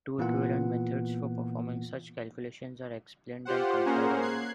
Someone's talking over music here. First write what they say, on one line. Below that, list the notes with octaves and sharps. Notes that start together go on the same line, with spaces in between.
Two equivalent methods for performing such calculations are explained and compared online.
A#2 E3 A#3 B3 F4 F#5
F4 G4 C5 F#5
A#3 C#4 G#4 A#4 C5 F#5
F#6 G#6 C7